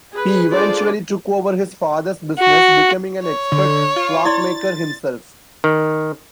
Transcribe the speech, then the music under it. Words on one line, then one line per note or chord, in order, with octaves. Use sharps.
He eventually took over his father's business, becoming an expert clockmaker himself.
G#4 B4
D4 F4 G#4 A4 C5 D5
F#4
C#5
D3
F4
E4 D5 C6 A6
D#3